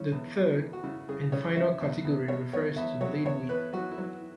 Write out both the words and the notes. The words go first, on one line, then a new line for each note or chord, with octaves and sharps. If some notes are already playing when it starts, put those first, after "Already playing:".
The third and final category refers to blade width.
Already playing: C#3 C#4 E4
E2
E2
E3
F#4
C#3 E4
C#3 G#4
C#3 C#5
C#3 E5
E2
E2
B2 C#5
E2 C#5
E2 E5
F#3 C#5
E2 C#5
E2 B4
F#3 F#4
E4
F#3